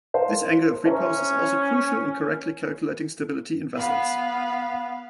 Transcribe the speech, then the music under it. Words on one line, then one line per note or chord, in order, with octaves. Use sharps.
This angle of repose is also crucial in correctly calculating stability in vessels.
A#4 C5 F5
C#4 C5 E5 A#5
B3 F5